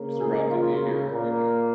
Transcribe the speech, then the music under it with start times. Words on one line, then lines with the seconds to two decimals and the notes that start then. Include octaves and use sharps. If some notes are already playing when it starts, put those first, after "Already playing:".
throughout the year, you know?
Already playing: C#3 A#3
0.18 G#4
0.48 F4
1.08 A#2 A#3